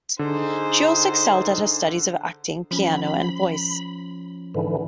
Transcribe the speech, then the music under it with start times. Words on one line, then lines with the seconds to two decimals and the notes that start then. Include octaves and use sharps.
She also excelled at her studies of acting, piano and voice.
0.19 D3 D#4 G#4 C5
2.71 F3 C#4 B5
4.55 G#2 D3 E3